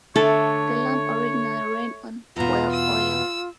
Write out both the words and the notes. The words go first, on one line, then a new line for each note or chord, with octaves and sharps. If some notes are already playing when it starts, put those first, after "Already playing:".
The lamp originally ran on whale oil.
D3 A3 A4 C#5
E2 B2 F4 A#5
E6